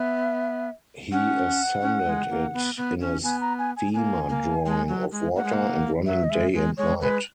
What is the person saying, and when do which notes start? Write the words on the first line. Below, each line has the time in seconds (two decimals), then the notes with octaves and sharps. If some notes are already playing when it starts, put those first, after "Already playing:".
He ascended it in a steamer drawing of water, and running day and night.
Already playing: B3 E5
1.12 C#4 F#5
1.82 C#4
2.06 G#3
2.30 A#3
2.54 B3
2.77 B3
3.01 C#4
3.23 B3 G#5
3.41 A#5
3.59 G#5
3.77 G#5
3.94 B3 G#5
3.98 A#3
4.29 A#3
4.66 G#3
4.88 F#3
5.12 G#3
5.36 A#3 F#5
5.44 G#3
5.53 A#3
6.06 F#3 E5
6.24 D#5
6.30 G#3 E5
6.54 G#3
6.77 G#3 C#5
7.00 G#3 B4